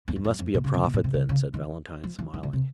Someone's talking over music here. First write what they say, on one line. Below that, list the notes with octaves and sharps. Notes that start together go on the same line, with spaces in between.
"He must be a prophet, then," said Valentine, smiling.
E2
F2
F#2
F2
B2
C#3
C3
B2
A#2
C3
C#3
C#3
D#3
F3
E3
D#3
D3
C3